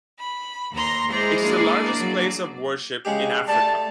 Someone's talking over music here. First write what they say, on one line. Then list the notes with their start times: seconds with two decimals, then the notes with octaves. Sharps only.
It is the largest place of worship in Africa.
0.19 B5
0.73 D#2 A#5 C6
1.10 G#3 E4 G#4 C5 D5 A#5
1.43 A#3 D4 D5
1.95 F#3
3.05 C#3 G#3 G4
3.48 G3 A3 A5